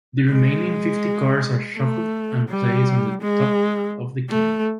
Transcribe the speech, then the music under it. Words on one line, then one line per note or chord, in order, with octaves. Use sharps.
The remaining fifty cards are shuffled and placed on the top of the King.
G#3
A3
G3
G#3
A3